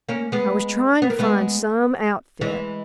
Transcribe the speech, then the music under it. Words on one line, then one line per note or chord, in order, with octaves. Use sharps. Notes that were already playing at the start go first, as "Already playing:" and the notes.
I was tryin' to find some outfit.
A#3 C#4
G#3 B3
B3
A#3
G#3 B3
E3 G#3